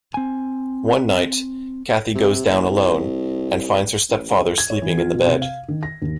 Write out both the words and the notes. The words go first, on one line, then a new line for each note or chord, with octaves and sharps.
One night, Cathy goes down alone, and finds her stepfather sleeping in the bed.
C4 G#5
C3
F#1
C2
A1
C#3
G#6
C#5
E3
F4
B2
C3
F5
D#3
A#6
D#2